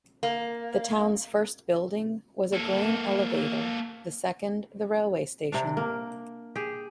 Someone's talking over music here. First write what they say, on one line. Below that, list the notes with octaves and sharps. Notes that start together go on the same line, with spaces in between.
The town's first building was a grain elevator, the second the railway station.
A#3
A#3 A4
C3 D4
A#3
G4 G#4